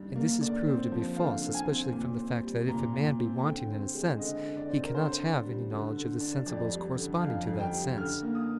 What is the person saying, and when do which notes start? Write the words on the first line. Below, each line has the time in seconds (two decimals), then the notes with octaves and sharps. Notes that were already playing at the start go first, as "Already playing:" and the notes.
And this is proved to be false especially from the fact that if a man be wanting in a sense, he cannot have any knowledge of the sensibles corresponding to that sense.
Already playing: G2 D#3 D4
0.16 A#3
0.41 D3 D5
0.66 C4
0.92 F3
1.16 D3 F5
1.42 D3
1.54 G#5
1.67 C4
1.92 A#2
2.17 C4
2.43 G3
2.68 A#2 A#5
2.94 A#2
3.18 C4
3.44 D3 G5
3.69 C4
3.94 G#3
4.19 D3 D#5
4.45 D3
4.57 D5
4.69 C4
4.85 A#4
4.95 D3 C5
5.20 D4
5.45 G3
5.71 D3
5.96 D3
6.20 D4
6.46 F2 D5
6.72 G3
6.96 D3
7.22 F2 F5
7.48 F2
7.60 G5
7.72 G3
7.98 D3 F6
8.22 A#3
8.35 D#6